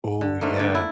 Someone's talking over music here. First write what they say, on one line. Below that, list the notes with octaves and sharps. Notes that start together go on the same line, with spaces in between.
Ooh, yeah.
D3
G#2 D3 A3 A#3
D3 D5
E4